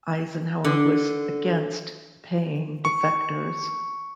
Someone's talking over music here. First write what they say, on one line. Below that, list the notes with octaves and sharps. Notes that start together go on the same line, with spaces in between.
Eisenhower was against paying defectors.
D3
C#6